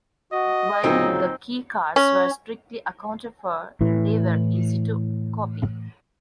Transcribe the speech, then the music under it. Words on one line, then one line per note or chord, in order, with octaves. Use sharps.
While the key cards were strictly accounted for, they were easy to copy.
F#4 D#5
D2 A#2 C#3 F#3 C4 D#4
C#4
A2 E3